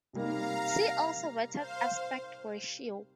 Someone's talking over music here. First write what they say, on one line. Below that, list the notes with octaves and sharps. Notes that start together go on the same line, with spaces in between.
See also Wetted aspect ratio.
C3 G3 A#3 D#4 F5 A#5
C5 F5